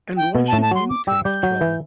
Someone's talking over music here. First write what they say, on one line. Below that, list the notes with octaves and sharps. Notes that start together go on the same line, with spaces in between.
And why should you take trouble?
G5
B2 B3
A5
A2 A3
A5
F#3 F#4 C6
D6
G3 G4 E6
G3 G4 G6
F#3 F#4
E3 E4